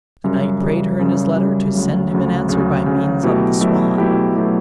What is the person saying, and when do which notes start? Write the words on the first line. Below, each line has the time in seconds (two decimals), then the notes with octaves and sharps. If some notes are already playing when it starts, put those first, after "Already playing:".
The knight prayed her in his letter to send him an answer by means of the swan.
0.24 F#2 C#3 G3
0.61 F#2 C#3 G3
0.99 F#2 C#3 G3
1.36 F#2 C#3 G3
1.73 D2 C#3 F#3
2.11 D2 C#3 F#3
2.48 D2 C#3 F#3
2.86 D2 C#3 F#3
3.23 B2 F#3 A3 E4 G4
3.61 B2 F#3 A3 E4 G4
3.98 B2 F#3 A3 E4 G4
4.36 B2 F#3 A3 E4 G4